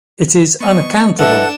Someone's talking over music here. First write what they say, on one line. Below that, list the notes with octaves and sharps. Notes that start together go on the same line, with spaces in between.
It is unaccountable!
B3 D#5 C#6
E3 G3 D4 A4 D#5 E5 F#5 E7